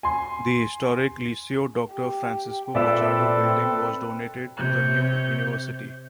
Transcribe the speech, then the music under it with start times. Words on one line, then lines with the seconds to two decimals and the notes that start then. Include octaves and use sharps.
The historic Liceu Doctor Francisco Machado building was donated to the new university.
0.03 G#5 C6
1.91 G4
2.75 A#2 C4 F4 A4 B4 D5 E5 E6
4.58 C3 C#5 G6